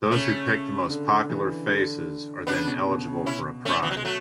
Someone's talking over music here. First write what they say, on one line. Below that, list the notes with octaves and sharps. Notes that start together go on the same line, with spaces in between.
Those who picked the most popular faces are then eligible for a prize.
C#3 A3 C#4
D3
E3
D3
C#3 B3 D4
B2
B2
C#3
B2 C#4 E4
A3 C#4
E3
F#3
G#3
F#3 A3